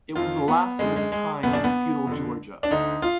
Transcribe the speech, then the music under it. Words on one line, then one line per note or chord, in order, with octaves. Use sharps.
It was the last of its kind in feudal Georgia.
F2 D#3 F4
B3
F#2 D3 G#3
G#3
G#3
F#2 D3 B3
D4
B3
F2 D3
D4
D2 D3 D#4
F4